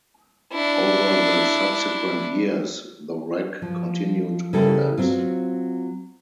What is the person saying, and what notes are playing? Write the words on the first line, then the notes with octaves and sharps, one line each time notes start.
Over the subsequent years, the wreck continued to collapse.
D4 E4
F3
C#3 G3 A#3 E4 A4
F#3 C4 F4